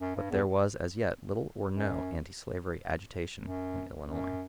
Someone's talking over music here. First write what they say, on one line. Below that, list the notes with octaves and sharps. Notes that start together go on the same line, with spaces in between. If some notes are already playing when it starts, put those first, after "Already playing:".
But there was as yet little or no antislavery agitation in Illinois.
F#2
G2
E2
F#2
F#2
F#2